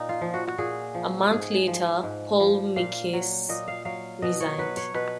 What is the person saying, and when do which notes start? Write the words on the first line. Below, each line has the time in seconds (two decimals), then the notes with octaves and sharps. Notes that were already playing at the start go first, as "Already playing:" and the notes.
A month later, Paul Mckess resigned.
Already playing: A#2 D#4
0.09 F4
0.21 F3
0.34 F#4
0.47 F#4
0.58 A#2 G#4
0.95 F3
1.31 G#2 G#4
1.68 F3
2.03 G#2
2.40 F3
2.76 A#2 F5
3.13 F#3
3.49 A#2 D#5
3.68 F5
3.85 F#3 F5
4.22 B2 D#5
4.40 C#5
4.58 F#3 B4
4.77 C#5
4.94 B2 B4